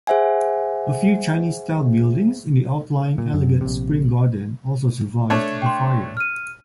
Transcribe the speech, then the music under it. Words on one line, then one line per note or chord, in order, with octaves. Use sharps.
A few Chinese-style buildings in the outlying Elegant Spring Garden also survived the fire.
G#4 C5 E5 F#5 G#5
A#2
F#2
A#1 C3
A3 D4 C#5
G5 C6
F6 D#7